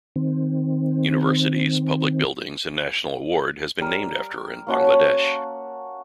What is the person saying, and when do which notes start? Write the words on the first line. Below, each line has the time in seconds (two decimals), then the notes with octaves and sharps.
Universities, public buildings and National Award has been named after her in Bangladesh.
0.16 D#3 C4
3.81 G3 A#4
4.67 A#3 C#4 F#4 A5